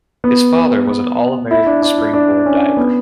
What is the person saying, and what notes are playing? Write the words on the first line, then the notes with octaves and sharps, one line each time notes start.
His father was an All-American springboard diver.
B3
B3
E4
D4
D4
E4
D4
C#4
B3